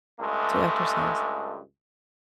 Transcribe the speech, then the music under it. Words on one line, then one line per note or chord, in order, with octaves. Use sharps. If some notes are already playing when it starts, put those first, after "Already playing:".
to exercise?
C#2 G2 G#3 A3